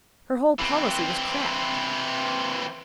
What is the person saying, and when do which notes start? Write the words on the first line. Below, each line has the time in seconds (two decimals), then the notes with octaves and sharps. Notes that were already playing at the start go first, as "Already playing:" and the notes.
Her whole policy was cracked.
0.59 E3 C4